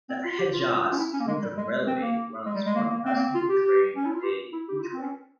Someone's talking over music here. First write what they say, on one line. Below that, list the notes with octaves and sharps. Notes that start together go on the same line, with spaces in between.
The Hedjaz Jordan Railway runs one passenger train a day each way.
C4
F4
G4
F4
F4
F4
C#4
E4
C#4
A#3
G#3
G3
G#3
G#3
C4
A#3
G#3
G3
G#3
A#3
A#3
C4
A#3
C4
F4
G4
G4
C#4
E4
F4
G4
E4
G4
E4
F4
C4
C#4